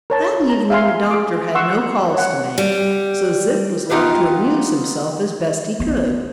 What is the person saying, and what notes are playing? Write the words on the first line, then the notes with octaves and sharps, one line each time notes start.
That evening the doctor had no calls to make, so Zip was left to amuse himself as best he could.
A#4 C#5 A5
A#5
E5 F5 G#5 C6
G#4 D6
F#5 C6 C#6 E6
C#5 F#5
G3
B3 D#4 F4 G4 B4
B3